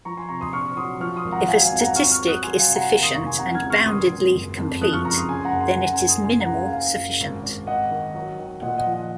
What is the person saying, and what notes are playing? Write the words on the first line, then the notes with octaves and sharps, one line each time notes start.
If a statistic is sufficient and boundedly complete, then it is minimal sufficient.
F3 A#5 C#6
G#5 C6
C3 A#5 C#6
C6 D#6
A#1 C#6 F6
F#3 C6 D#6
F3 C#6 F6
C6 D#6
G#1
F#5 A#5
F#3 F5 G#5
F5 G#5
F2
F#5 A#5
G#2 C#6 F6
C#6 F6
F#3
D#6 F#6
F#3 G#5 C6
F5 G#5
C2
F#5 A#5
D#2 F5
C6 D#6
F1 A#5 C#6
G#5 C6
C3 F#5 A#5
F6 G#6
C#2
C#6 F6
G#1 C6 D#6
G#1
F#1
F2
F3 D#6 F#6
C#6 F6
C#2 A#5 C#6
C6 D#6
C#3 G#5 C6
F#5 A#5
F#1
G#5 C6
C#3 F#5 A#5
G#5 C6
F#1
C6 D#6
C#2 G#5 C6
F#5 A#5
C#3
F5 G#5
F#1 F5
F#2
G#1
G#1
G#1 D#5 F#5
D#3
F#3
D#3
A#2 D#5 F#5
D#5 F#5
F3
D#5 F#5